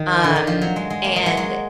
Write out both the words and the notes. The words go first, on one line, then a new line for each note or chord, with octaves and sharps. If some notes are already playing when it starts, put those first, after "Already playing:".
um, and
Already playing: D#3
D3
D#3
F3
F#3
G#3
G#3
A#3
G#3
F#3
G#3